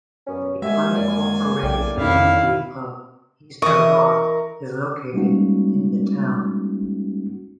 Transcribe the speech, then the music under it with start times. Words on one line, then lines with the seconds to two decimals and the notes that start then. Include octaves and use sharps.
The unincorporated community of Easter Rock is located in the town.
0.27 F#2 B3 C#4
0.62 C2 G#3 A#3 F#4 G4 E5 G#5
0.95 F#2 D5
1.63 B1 A2 D4 D5 G5
1.97 A1 F2 D#3 E4 F5
3.62 E3 A#4 D#5 C#6
5.14 G3 G#3 A#3 C#4 D#4 F#4